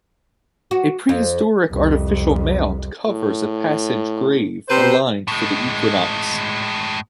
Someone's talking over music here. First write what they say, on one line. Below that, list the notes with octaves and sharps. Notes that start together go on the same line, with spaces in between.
A prehistoric artificial mound covers a passage grave aligned for the equinox.
F#4
F2
C2 F2
A2
C3 B4 C5
A2 G#3